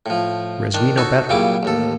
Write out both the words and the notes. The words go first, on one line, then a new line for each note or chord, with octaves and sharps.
Whereas we know better.
A2 F3
D#3 D4
D#4 F#4 A4 C#5
A#2 C#3 F#3 G3 E4 D6
A1 D#2 A4